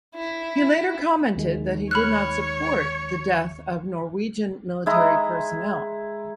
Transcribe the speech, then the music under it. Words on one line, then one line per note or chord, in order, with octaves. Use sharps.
He later commented that he did not support the death of Norwegian military personnel.
E4
D#2 D#3 G#3
C#5 B5 F6 F#6
G#3 E4 A#5